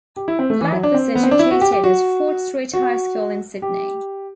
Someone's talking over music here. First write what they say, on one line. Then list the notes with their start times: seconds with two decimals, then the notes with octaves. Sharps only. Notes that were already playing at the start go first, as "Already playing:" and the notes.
Black was educated at Fort Street High School in Sydney.
0.17 G4
0.28 E4
0.39 C4
0.50 A3
0.61 E3
0.72 F#3
0.83 D4
0.94 C4
1.15 B3
1.23 C4
1.31 D4
1.39 E4
1.51 F#4
1.61 G4
1.72 G4
1.84 F#4
2.73 F#4
3.62 G4